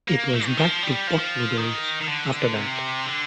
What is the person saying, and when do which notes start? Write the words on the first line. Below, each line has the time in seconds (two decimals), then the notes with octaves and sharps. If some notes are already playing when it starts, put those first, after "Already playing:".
It was back to Pot Noodles after that.
0.08 A#3
0.33 A3
0.46 D#3
0.58 F3
0.83 G3
1.07 F3
1.57 D#3
2.01 D#3
2.07 D3
2.56 C3
3.06 D3